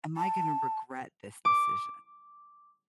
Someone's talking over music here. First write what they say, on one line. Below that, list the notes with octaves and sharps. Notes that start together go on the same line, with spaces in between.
"Am I gonna regret this decision?"
A5
D6